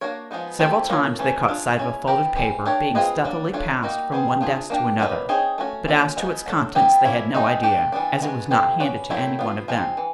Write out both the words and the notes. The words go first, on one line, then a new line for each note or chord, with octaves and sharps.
Several times they caught sight of a folded paper being stealthily passed from one desk to another, but as to its contents they had no idea, as it was not handed to any one of them.
A#3 D4 F#4 A#4 C#5
F3 G#3 B3 D#4
A3 C4 E4 G4 C5
A#3 D4 F4 A4 C#5
E3 A3 C#4
D4 F4 G#4
G#3 C#4 E4
B3 E4 G4 A#4
E3 G3 C4
D4 G4 A#4 C#5
C4 F4 G#4 B4 D#5
F#3 A#3 D4
A3 D4 F4 A4 C#5
G3 A#3 D#4 F#4
G3 B3 D#4 G#4 C5
D4 F4 G#4 C5
A#3 D4 G4
F#3 A#3 D#4 F#4 B4
C4 D#4 G#4 C#5
A3 C#4 F#4
A#3 C#4 F4 A4
F3 G#3 B3 D#4
F#3 A3 D4 F#4 A4
G3 B3 E4 G4
F3 A#3 C#4 E4
G#3 C4 D#4
A3 D4 G4
E3 G3 B3 D4
G#3 B3 D4 F#4
A3 C4 E4 G4 C5
C#4 F#4 B4 D5
D#3 F#3 A3 C4 E4
B3 D4 F4
F3 G#3 C4
E3